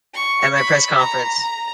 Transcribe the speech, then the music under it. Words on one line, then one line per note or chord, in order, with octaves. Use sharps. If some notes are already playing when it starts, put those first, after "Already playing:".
At my press conference.
C#6
B5
A#5
A#5